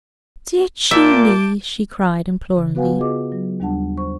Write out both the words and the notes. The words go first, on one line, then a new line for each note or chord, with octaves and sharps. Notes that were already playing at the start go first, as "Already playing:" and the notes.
"Dear Julie!" she cried, imploringly.
A#2 E5 A5 D6 G6
C#3
B3 F#4 B4 F5 F#5 G#5
F4 G#4 D#5 D6
F#3
D#2 G3 D4 F#5 A5
C5 C#6